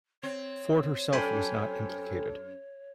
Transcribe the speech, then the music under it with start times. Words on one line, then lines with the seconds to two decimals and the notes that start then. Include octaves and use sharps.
Ford herself was not implicated.
0.23 C4 C#5
1.13 F#2 A4 C5 G5 G#5 B5